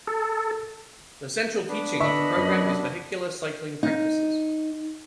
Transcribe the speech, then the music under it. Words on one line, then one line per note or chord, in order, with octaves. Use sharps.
The central teaching of the program is vehicular cycling practices.
A4
B3 D4 B4
D3 D#5 E5 B5 C#6 D#6
F#2
D#4